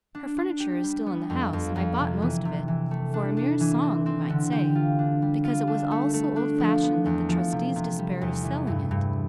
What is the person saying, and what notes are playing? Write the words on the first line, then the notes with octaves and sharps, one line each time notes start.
Her furniture is still in the house, and I bought most of it--for a mere song you might say, because it was all so old-fashioned that the trustees despaired of selling it.
D4
D4
G4
G3
B3
F2
F2
F2
C3
E3
C3
E3
A3
D4
D4
E3
C4
C4
D3
G4
F4
D4
G3
F4
D4
A3
A3
D4
F3
B3
E2
F3
C3
C3
G3
E2
E3
G2
G2